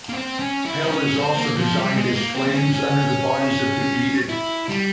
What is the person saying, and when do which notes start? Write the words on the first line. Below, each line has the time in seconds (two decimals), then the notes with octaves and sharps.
Hell is also designed as flames under the bodies of defeated.
0.09 A#3
0.13 C4
0.40 C#4
0.66 E4
0.83 C4
0.91 C#4
1.18 C4
1.37 A#3
1.57 F3
1.76 G3
1.95 G#3
2.15 A#3
2.34 C4
2.46 C4
2.54 C#4
2.74 C#4
4.29 E4
4.69 G3